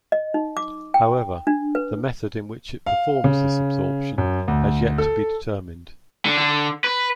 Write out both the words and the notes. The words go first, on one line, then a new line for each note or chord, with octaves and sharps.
However, the method in which it performs this absorption has yet to be determined.
D#5
D#4
D6
G5
D4
B4
F5
C#3
F#2
D2
A4
D3
D3
B4